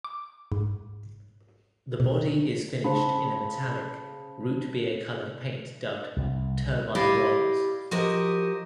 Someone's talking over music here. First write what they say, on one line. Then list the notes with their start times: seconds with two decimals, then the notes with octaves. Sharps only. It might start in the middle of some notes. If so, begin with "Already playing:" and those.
The body is finished in a metallic, root beer-colored paint dubbed "turbine bronze".
0.04 D6
0.52 G#2
2.00 B2
2.84 C#3 C5 A5 B5
6.17 C2
6.95 E4 G4 D5 D#5 F5
7.91 F3 F#4 G4 A#4 D#5